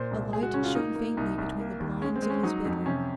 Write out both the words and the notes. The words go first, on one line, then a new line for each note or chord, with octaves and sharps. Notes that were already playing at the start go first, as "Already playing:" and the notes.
A light shone faintly between the blinds of his bedroom.
Already playing: A#2 C5
C2
G#3 G#4
F#4
C#3 C#4
F4
A#3 D#4
A#3
C2 D#4
C2
A#3
D#2
G#3 C#4
C4
G#3
C#4
F#3 D#4
F2
C3 C#4